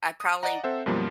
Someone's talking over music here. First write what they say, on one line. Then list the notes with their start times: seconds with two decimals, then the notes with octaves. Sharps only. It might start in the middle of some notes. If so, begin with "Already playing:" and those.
I probably
0.20 D#6
0.43 D5 D#5 F#5 A#5
0.64 C4 A4 C5 E5 F#5
0.86 F#2 B2 F3 G3 A#3